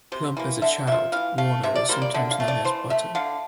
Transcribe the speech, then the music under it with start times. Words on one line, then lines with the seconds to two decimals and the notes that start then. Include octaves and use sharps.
Plump as a child, Warner was sometimes known as "Butter".
0.12 C3 C5
0.37 E3 A#3
0.62 D3 E5
0.87 F3 A#3 E5
1.12 E3 F5
1.38 A3 F5
1.63 C3 E5
1.76 D5
1.89 G3 A#3 C5
2.02 D5
2.14 D3 E5
2.31 F5
2.40 A3
2.48 D5
2.64 E3 C5
2.90 A3 E5
3.15 D3 F5